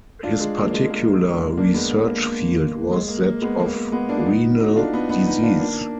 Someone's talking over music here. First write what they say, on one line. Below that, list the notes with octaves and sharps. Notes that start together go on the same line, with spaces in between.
His particular research field was that of renal disease.
D4 F4
G#3
A#3
G#3
G#3
A#3
A#3 D4
G#3 B3
A#3
A#3
A#3
G#3
A#3
A#3
G#3 B3
A#3
A#3
G#3 B3
A#3 D4
F4
B3 D#4
D#4 F#4
D4 F4
B3 D#4
B3 D#4
B3 D#4
D4 F4
A#3 D4